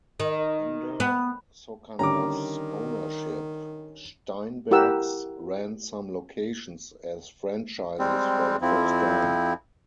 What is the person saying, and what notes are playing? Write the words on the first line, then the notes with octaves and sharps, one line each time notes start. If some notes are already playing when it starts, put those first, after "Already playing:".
Under Socanav's ownership, Steinberg's ran some locations as franchises for the first time.
D#3
B3
D3 D#3 G3 C#4 A#5 D6
E4 G4 A#4 F#5 E6
G3 G#3 C4
F2 F3 C4 E4